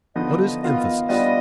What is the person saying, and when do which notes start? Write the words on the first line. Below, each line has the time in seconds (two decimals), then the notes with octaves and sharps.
What is emphasis?
0.16 D3 F3 B3 D#4 D#5
0.39 D#5
0.62 D#3 B3 F4 D#5
1.09 G3 B3 D4 F4 D#5